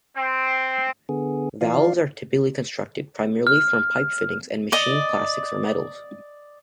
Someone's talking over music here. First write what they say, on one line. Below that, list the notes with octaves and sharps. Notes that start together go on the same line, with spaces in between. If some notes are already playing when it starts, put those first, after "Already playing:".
Valves are typically constructed primarily from pipe fittings and machined plastics or metals.
C4
D3 B3 G#4
E3 F4 D5 F5
F6
D5 D#5